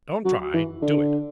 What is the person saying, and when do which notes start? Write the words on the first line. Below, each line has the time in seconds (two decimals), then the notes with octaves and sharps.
"Don't try--do it."
0.25 F#3
0.54 E3
0.82 D3